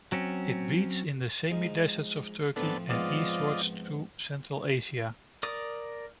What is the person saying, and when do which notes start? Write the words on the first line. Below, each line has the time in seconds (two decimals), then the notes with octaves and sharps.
It breeds in the semi-deserts of Turkey and eastwards through Central Asia.
0.12 F#3 C4 C#4
1.49 F3 G#3 D#4
2.56 A2 F3 B3 C4 D4 A4
2.90 G#2 B3 C4 F4 D5 D#5
5.43 A#4 D5 D#6